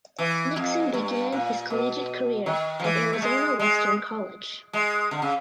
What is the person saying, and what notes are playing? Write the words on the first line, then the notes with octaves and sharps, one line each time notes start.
Nixon began his collegiate career at Arizona Western College.
E3
F2
G2
A#2
B2
D#3
F3
E3
A3
G#3
G#3
G#3
D3
C#3